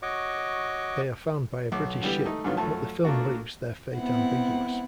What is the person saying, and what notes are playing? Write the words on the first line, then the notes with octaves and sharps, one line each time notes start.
They are found by a British ship, but the film leaves their fate ambiguous.
F#4 C#5 D#5 C#6 D6
B1 D6
D3 E3 G3 B3 G4
A3 D#4
G2 D3 D#3 F#3 B3 F4
F#2 F3 A3 A5
A3 A#3 D4 F4 F#4
B3 C4 E4 F#5